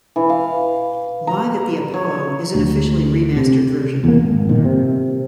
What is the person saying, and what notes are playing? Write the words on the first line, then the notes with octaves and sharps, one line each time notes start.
"Live at the Apollo" is an officially remastered version.
E3
F5
A#5
C#5
D2
C3
E2 A#3
G#1
G1 A#2 D#3
C3